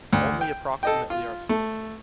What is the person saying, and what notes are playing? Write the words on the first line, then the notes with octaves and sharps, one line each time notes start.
Only approximately are sold.
D2
G5
A4 D#5 G5
F4
A3